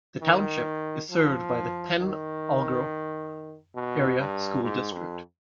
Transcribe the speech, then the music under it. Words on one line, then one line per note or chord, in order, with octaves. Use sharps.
The township is served by the Pen Argyl Area School District.
D#3
F3
D#3
B2
G2
G#2
F2